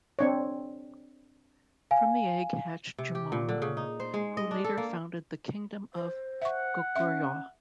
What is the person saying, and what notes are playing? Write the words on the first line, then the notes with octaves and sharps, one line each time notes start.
From the egg hatched Jumong, who later founded the kingdom of Goguryeo.
C4 D4 C#5
F5 G#5
C3
G4
A#2
D3
C#3
D#4
C5
G#3
D#5
D4
A4
A#3
C5
E5 F#5 C#6
C#4 E5